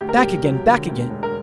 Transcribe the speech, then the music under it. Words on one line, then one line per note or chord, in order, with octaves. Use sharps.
'Back again! back again!
D2 G4
A#4
G4
E1
F#3
D3
D2
E1
A#4